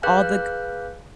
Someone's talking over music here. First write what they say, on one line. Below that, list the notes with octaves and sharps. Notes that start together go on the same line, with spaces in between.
all the g
G#4 B4 F5 F#6 G6